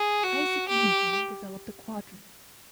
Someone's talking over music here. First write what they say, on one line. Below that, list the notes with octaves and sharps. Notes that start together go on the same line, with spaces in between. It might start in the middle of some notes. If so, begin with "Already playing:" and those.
Isaac Newton developed the quadrant.
Already playing: G#4
F#4
G4